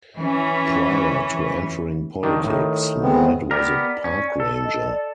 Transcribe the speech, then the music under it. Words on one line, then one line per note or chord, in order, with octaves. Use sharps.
Prior to entering politics, Knight was a park ranger.
E3 C#4
D#3 D4
A2 D#3
G#3 B3 C4
B3 G4 A#4 D5
C#4
A4
D#5
D5